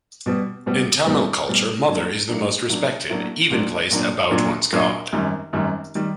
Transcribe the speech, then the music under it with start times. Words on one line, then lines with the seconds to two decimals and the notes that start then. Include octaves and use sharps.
In Tamil culture, Mother is the most respected, even placed about one's god.
0.26 B2 G3 B3
0.66 B2 G3 B3
1.06 B2 G3 B3
1.48 B2 G3 B3
1.88 A2 F#3 A#3 D4
2.29 A2 F#3 A#3 D4
2.69 A2 F#3 A#3 D4
3.10 A2 F#3 A#3 D4
3.50 A#2 F#3 A#3 D4
3.91 A#2 F#3 A#3 D4
4.31 A#2 F#3 A#3 D4
4.73 A#2 F#3 A#3 D4
5.12 G#1 F#2 D#3 G3
5.53 G#1 F#2 D#3 G3
5.95 D#3 G3